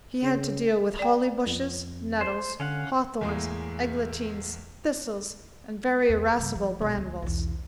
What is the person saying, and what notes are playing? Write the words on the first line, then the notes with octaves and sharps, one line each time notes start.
He had to deal with holly bushes, nettles, hawthorns, eglantines, thistles, and very irascible brambles.
C#3
D5 G5
F2
C5
D3 C#4 F5 F#5
E2 A2 E3 G#3 A#3
E2
G2 C#3
F3
B1 A#2
D2
B1 E2